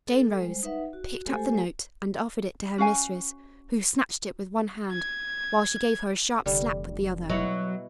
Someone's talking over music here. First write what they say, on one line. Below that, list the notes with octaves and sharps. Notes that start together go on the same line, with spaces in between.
Jane rose, picked up the note and offered it to her mistress, who snatched it with one hand, while she gave her a sharp slap with the other.
A4
G3 G#3 C5
D#4 B4 E5 F#5
F#4
G#3 A3 G4 A4 C5 G#5
C#4 F#4 F5 G#5
G#6
F1 D3 G3
B2 F#3 E4 F#5